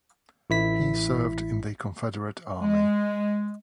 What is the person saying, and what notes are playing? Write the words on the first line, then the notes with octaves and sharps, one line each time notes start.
He served in the Confederate Army.
A1 E4 B6
G#3